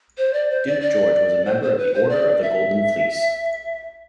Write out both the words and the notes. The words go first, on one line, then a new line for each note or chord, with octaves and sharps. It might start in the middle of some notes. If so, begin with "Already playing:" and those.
Duke George was a member of the Order of the Golden Fleece.
C5
D5
C5
D5
D5
C5
C5
B4
C5
D5
E5